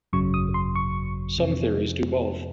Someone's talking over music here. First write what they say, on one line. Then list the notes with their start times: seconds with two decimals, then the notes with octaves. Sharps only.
Some theories do both.
0.13 G#1 F#2 C#3 F#3 C#6
0.34 D#6
0.54 C6
0.76 C#6
1.38 F2 C3 F3